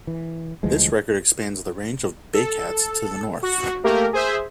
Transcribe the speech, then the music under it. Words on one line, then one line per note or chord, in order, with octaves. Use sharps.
This record expands the range of bay cats to the north.
E3
D2 E3 F3 G#3
A4
F#4
A3 A#3 G4 A#4
G#4 C5 E5